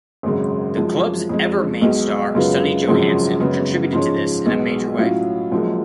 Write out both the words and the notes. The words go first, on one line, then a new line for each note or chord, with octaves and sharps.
The club's ever main star Sonny Johansson contributed to this in a major way.
G#1 F#2 C#3 G#3
F#2 F3 G#3
F2 F3 G#3
B1 B2 G#3
F#2 C#3 G#3 B3 F4
G#1 F#2 C#3 F3 G#3
F#2 C#3 G#3 B3
G#2 F3 G#3 C#4
B1 B2 G#3
A2 F#3 C#4 F4
F#1 F#2 F3 G#3